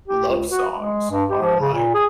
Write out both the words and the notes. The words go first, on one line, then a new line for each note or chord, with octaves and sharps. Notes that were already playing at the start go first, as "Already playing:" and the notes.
love songs are, like
G4
C#2
F#4
G#3
G2
G4
F3
C#3
A#2
G#4